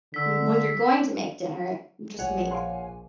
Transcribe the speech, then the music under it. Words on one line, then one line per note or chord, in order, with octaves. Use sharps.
m when you're going to make dinner, just make,
D3 E6 B6
A#1 C#5 F#5 G#5
F5 C6